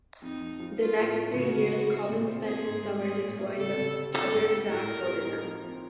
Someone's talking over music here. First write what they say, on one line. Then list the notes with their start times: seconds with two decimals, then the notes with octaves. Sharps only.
The next three years, Colvin spent his summers exploring the Adirondack wilderness.
0.22 F2 D#4
0.41 F2
0.60 F3
0.78 C#4 F4
0.97 A2
1.15 A3
1.34 C#3 F#4
1.52 C#3
1.71 B3
1.90 E4
2.09 A#2
2.27 C4
2.46 C4 G#4
2.65 G#2
2.83 G#3
3.01 C#4 G#4
3.20 A#2
3.39 A3
3.57 C#3 A4
3.76 C#3
3.95 G3
4.13 C4 A4
4.32 G2
4.51 G3
4.69 A2 A#4
4.88 A2
5.06 G3
5.25 D#4
5.43 F3
5.62 C4